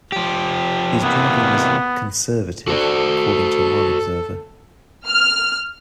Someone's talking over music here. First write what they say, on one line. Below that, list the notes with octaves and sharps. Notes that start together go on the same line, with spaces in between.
His driving was "conservative" according to one observer.
F3 G4
C3 E3 A#3 B3
F#4 A4 C5 D5
F6